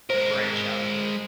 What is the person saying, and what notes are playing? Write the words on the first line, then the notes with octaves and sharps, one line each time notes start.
branch out a bit.
G#3 A#4 C5